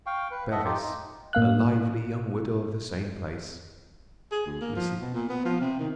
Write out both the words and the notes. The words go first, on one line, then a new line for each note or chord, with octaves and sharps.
BEVIS, a lively young widow of the same place. MRS.
F5 G5 C#6
B4
A4 D#5 E5 F#5
D#4 F4 G4
D#4
A2 A#3 F5 F#6
G#4
D2
A#3
F3
B2
A#2
B3
F3
C3
D#3